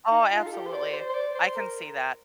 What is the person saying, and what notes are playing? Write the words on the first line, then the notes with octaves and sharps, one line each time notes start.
Oh, absolutely. I can see that.
D#4
F4
A4
G4
C5
D5
C5
C5
D5
C5
A#4